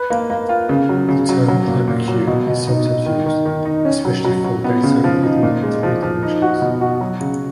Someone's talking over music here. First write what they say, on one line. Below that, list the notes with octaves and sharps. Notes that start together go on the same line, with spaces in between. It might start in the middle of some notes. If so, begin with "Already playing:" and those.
The term hypercube is sometimes used, especially for data with more than three dimensions.
Already playing: B4
A#3
A#3
F4
C#3
F#3
C#3
F#3
F#3
A#2
A#2
F#3
B2
B2
D#4
D#4
D#3
D#3
D#3
D#4
C#4
F#3
F#3
F#3
B3
C#3
F3
D#4
A#2
G#3
F3
F3
D#4
F#4
B2
F#4
F#3
C#3